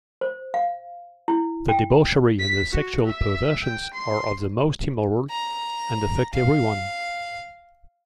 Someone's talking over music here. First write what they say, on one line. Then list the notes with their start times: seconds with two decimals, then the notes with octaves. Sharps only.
The debauchery and the sexual perversions are of the most immoral, and affect everyone.
0.21 C5
0.54 F5
1.28 E4
1.69 G5
2.40 B6
2.73 F#4
3.06 E5
3.63 G5
3.94 C6
5.30 A#5
6.34 F5